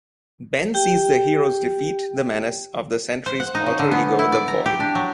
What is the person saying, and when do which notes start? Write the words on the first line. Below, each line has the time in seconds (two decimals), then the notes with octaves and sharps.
Ben sees the heroes defeat the menace of the Sentry's alter-ego the Void.
0.74 G4 G5
3.26 C5
3.40 F#5
3.55 D#4
3.66 C#3
3.79 D3
3.91 B3
4.19 E4
4.32 D5
4.48 A#5
4.66 G4
4.80 D4
4.95 F#3